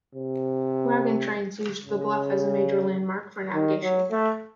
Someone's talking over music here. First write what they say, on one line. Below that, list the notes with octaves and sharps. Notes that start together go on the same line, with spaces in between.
Wagon trains used the bluff as a major landmark for navigation.
C3
C#3
D#3
F#3
A3